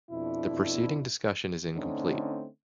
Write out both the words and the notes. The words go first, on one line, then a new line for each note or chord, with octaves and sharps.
The preceding discussion is incomplete.
F2 B2 D4 E4
D3 A3 C4 C#4 D#4